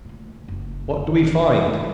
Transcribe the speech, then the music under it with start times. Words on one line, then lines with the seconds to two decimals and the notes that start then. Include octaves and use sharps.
What do we find?
0.05 D2 A#2
0.48 F#1
1.58 E3 F3